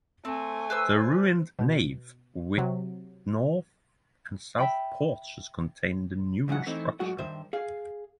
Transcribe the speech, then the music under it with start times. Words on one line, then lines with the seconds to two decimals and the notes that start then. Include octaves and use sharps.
The ruined nave with north and south porches contains the newer structure.
0.25 A3 C4 G#5
0.70 B4 C5 E6
1.59 B2
2.58 C3 F#3
4.58 E5 G5 B5
6.48 E2 G#2 C#3 F#3 F#5
6.66 E3 A3 C4 D#4 E4
7.00 G#2 F#3 A3 F#4 F#5
7.18 G2 D#3 C5 E5
7.53 G#4 F5